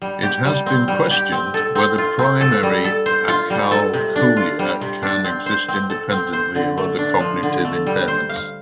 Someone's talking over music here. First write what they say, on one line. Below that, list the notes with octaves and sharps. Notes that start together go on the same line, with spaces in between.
It has been questioned whether primary acalculia can exist independently of other cognitive impairments.
G3
G4
G3
C4
G3
G4
C4
A4
C4
F4
C4
A4
G3
A4
C5
F4
G3
A4
C3
D4
F4
G3
C3
D4
C4
C5
C4
A4
C4
C5
D3
A3
D4
F3
D3
A3
G3
C5
F5